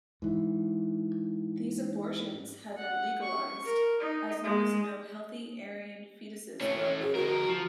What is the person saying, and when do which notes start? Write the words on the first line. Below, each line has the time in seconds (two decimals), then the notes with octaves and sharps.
These abortions had been legalized, as long as no healthy Aryan fetuses were aborted.
0.22 G#2 E3
2.77 F#5
3.22 C#6
3.64 A#4
4.01 D#4
4.43 G#3
6.61 A3 C#4 C#5
7.01 G#4
7.15 D3 F#4 A#4
7.49 F3